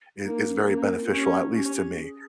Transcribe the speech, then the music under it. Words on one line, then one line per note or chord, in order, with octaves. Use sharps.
is is very beneficial, at least to me.
A#3 D#4
D#4
C#4
G4
A#3 C#4
C4
F4
C#4 G4
G4
D#4
C#4 G4
G#4